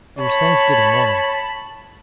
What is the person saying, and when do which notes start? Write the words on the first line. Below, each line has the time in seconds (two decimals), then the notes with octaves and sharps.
It was Thanksgiving morning.
0.19 C#5 A5 B5